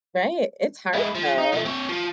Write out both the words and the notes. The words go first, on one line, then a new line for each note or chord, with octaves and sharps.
Right, it's hard, though.
G#3 E4
F3
D#4
F3 A3
C4 C#5
F3